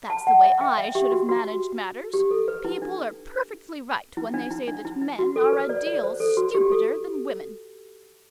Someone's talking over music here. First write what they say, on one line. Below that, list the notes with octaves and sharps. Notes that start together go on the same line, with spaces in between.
That's the way I should have managed matters! People are perfectly right when they say that men are a deal stupider than women!
A5
F#5
E5
G5
E5
G4
F#4
F#4
G4
A4
B4
E4
D4
E4
D4
E4
D4
E4
E4
F#4
A4
B4
D5
D5
C5
A4
F#4
G4
A4